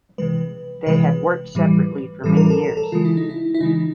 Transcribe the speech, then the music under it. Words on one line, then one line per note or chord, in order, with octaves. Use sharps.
They had worked separately for many years.
C3 E3 G#3 B4
C3 E3 G#3 B4
A2 E3 G3
A2 E3 G3 A4
A#4
A4
A#4
A4
C#3 E3 G#3 F4
E4
D#4
E4
E4
C#3 E3 G#3 D#4